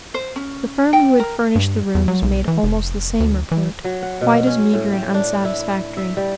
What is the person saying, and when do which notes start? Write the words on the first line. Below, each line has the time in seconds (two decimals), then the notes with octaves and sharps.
The firm who had furnished the rooms made almost the same report, quite as meagre and unsatisfactory.
0.14 C5
0.36 C#4
0.93 G5
1.20 A#4
1.55 G2
1.95 E2
2.08 F#3
2.22 B1
2.48 E3
2.63 F1
3.20 D2
3.52 E3
3.85 F#3
4.03 F#5
4.21 B2
4.47 C#4
4.74 A2
4.93 G5
5.14 D4
5.45 E4
5.97 E5
6.17 G3